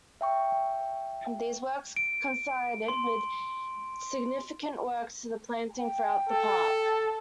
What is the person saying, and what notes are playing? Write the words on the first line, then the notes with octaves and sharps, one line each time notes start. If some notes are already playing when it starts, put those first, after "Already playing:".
These works coincided with significant works to the planting throughout the park.
E5 G5 C#6
D7
C6
G5
A4